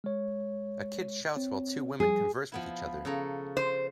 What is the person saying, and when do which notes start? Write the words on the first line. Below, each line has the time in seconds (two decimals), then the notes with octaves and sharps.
A kid shouts while two women converse with each other.
0.04 G#3 C#5
1.36 C4 C#5
2.00 F3 G3 G#4
2.52 F3 B3 E4
3.05 C#3 A4 A#5
3.57 C5